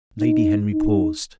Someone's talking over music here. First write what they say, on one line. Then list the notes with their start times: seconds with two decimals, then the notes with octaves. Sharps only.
Lady Henry paused.
0.20 D#4
0.74 D#4